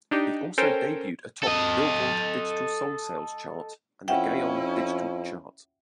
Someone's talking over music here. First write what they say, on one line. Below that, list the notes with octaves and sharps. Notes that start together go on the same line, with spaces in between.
It also debuted atop "Billboard" Digital Songs Sales chart and the Gaon Digital Chart.
D4 D#4 G4
C#4 A4 A#4 C5 G5 G#5
A4 D#5
F2 C#4 E4 E5 F#5 G5